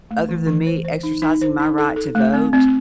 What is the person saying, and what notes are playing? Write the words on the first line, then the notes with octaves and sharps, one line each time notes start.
other than me exercising my right to vote
A3
E3
E3
C5
C5
D#4
D#4
C5
D#4
A4
A4
A3
C4
C4